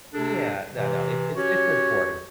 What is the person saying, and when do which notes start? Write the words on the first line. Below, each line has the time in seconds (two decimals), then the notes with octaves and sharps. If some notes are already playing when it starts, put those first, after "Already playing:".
Yeah, no, no, it's it's it's important.
0.14 C3 D4 G#4 A4
0.75 C3 E3
1.35 C#4 F#4 G4 C#5